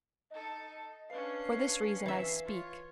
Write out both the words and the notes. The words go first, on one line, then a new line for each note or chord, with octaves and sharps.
For this reason I speak.
D#4 A4 D#5
C#4 D4 B4 F5 C7
E3 E5
F4 C#5